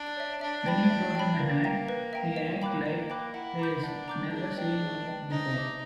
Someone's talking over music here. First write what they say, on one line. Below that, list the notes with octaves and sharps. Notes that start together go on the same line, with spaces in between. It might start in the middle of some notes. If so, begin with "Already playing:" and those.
When you throw him a hat, he acts like he's never seen one before.
Already playing: D4
C#5 E5
D4 E5
G5 B5
E5
G5 B5
A#3 B4
E5 G5 A#5
B4
E5 G5 A#5
D#5
G5 B5 D6 F#6
A#3 D#5
G5 B5 D6 F#6
E4 F#5
A#5 D6 G6
D4 F#5
A#5 D6 G6
D4 G#4
B4 D#5 G5
G#4
B4 D#5 G5
D#4 C5
E5 A5 D6